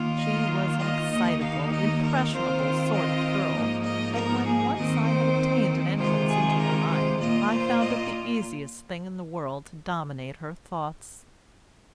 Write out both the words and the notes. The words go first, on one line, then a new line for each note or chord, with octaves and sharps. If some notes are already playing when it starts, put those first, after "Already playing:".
She was an excitable, impressionable sort of girl, and when once I had obtained an entrance into her mind I found it the easiest thing in the world to dominate her thoughts.
Already playing: D#3 A#3 F4
D#5
D#5
D#2 D#3 A#3 D#4
F5
D#5
A#4
D#3 C4 F4 C5
D#5
G#2 F3 A#3 D#4
D#5
A#4
G#4
D#2 D#3 C4 D#5
C5
C3 D#3 G#3 F4 C5
G#4
A#4
C5
A#2 A#3 F4 D#5
C5
D#5